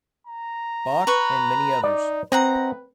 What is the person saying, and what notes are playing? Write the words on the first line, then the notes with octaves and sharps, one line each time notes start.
Bach, and many others.
A#5
B4 C#6
D#4 D5
C4 B4 D#5 F#5 A#5